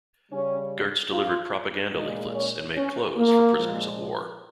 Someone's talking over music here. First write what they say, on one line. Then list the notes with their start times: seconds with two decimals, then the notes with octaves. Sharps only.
Gertz delivered propaganda leaflets and made clothes for prisoners of war.
0.31 C#3 G3 C#4
1.13 F4
1.93 A#2 G#3 D#4
2.34 C#4
2.75 C#4
3.16 A#3
3.56 A#2 F3 G#3